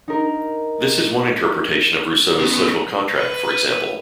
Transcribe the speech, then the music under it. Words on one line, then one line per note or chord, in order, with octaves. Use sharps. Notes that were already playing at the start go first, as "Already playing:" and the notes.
This is one interpretation of Rousseau's "Social Contract", for example.
D#4 A#4
C#3 B3
B4